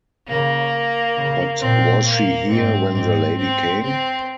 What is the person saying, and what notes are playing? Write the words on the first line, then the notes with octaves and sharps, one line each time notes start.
But was she here when the lady came?
C#3 A#3
C#3
A#2 C4
A#3
G#2 C4
G#2 C4
C4
C4